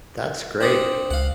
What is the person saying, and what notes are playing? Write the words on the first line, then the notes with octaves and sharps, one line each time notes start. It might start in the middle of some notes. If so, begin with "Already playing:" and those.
That's great.
C4 D4 D#6
C#2 F5 F#5